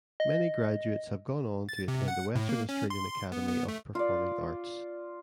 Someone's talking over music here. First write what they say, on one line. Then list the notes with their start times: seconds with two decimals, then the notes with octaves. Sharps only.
Many graduates have gone on to attend the Western Australian Academy of Performing Arts.
0.20 D#5
1.69 A6
1.88 C3
2.08 F#5
2.35 A2
2.49 A#3
2.69 C#4
2.90 C6
3.32 B3
3.48 B3
3.68 A3
3.95 F4 D5